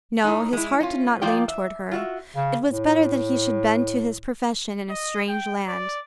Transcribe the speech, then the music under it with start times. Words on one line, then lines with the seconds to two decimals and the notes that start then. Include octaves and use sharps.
No, his heart did not lean toward her; it was better that he should bend to his profession in a strange land.
0.24 A2 D#4
0.53 G#3 E4
0.80 C#4 F4
1.22 F3 A#3 F4 D5 G5
1.48 E5
1.91 F4 F#4 E5
2.36 C#3
2.70 A2
4.90 D#5
5.29 G5
5.68 D5